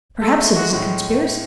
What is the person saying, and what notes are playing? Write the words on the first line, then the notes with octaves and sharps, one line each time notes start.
Perhaps it is a conspiracy.
G#3 A4
A3
G#3 F#4
A2